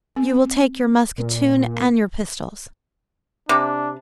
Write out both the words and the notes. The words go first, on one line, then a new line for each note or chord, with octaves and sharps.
"You will take your musketoon and your pistols."
C4
A#2
C3 D4